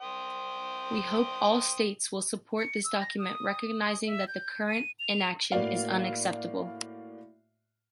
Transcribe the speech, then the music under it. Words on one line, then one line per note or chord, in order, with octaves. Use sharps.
We hope all the states will support this document recognizing that the current inaction is unacceptable.
C5 G5 D#6
C#7
E6
A#6
D#6
E5
G6
D#7
F7
A2 A#3 F#4 D5 F5